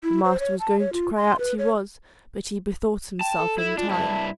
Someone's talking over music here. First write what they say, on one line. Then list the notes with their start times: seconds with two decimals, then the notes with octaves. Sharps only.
The master was going to cry out he was, but he bethought himself in time.
0.04 E4
0.25 C5
0.40 C#5
0.60 A5
0.79 C#5
0.93 F4
1.16 C6
1.39 B4
1.59 C#5
3.21 G5 A5
3.38 A4
3.58 E4
3.78 D4 F4
3.90 G2 E4 A5